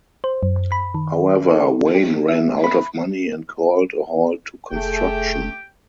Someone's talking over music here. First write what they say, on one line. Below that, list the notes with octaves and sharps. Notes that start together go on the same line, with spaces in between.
However, Wayne ran out of money and called a halt to construction.
C5
F#2
B5
D#3
A4
G4
E5
B5
F1 A3 G4 G#4 G5